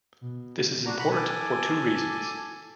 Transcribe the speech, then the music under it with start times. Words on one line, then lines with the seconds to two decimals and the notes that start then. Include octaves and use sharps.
This is important for two reasons.
0.21 B2
0.86 D4 F#4 A#5
0.99 F#5 A#5 B5
1.11 A4 G#5 D6